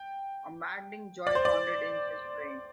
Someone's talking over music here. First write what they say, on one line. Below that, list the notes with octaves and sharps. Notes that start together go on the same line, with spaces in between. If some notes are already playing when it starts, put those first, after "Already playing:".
A maddening joy pounded in his brain.
Already playing: G5
D5
C5
D5